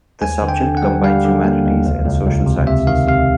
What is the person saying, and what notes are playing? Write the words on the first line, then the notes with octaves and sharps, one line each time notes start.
The subject combines humanities and social sciences.
D#2 G#5
D3
G5
D3
F#5
G3
G3 F5
D3
A#3
D#2
C#2
C#2
C#2
C3
C3 E5
D#3 F5
C3 F5